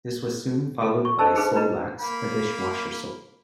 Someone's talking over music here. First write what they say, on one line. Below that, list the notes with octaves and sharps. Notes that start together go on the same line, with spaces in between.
This was soon followed by Soilax, a dishwasher soap.
A4 F5
C#6
D4 A4 C5 D#5 A5 E6
D#4 G#4 A4 B4 C5 F5
D4 B4 D#5 A#5
A#3 B5